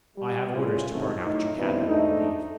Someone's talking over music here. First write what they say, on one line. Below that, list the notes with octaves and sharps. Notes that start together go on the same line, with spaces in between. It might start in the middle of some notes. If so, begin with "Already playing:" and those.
I have orders to burn out your cabin when you leave.
G3
A2 G3 C#4 F4 G#4
F#2 C3 D#3 A3 D#4 E4
A2 D#4
G2 B2 D#3 G3 C4 E4
G#2 A3 D4 D#4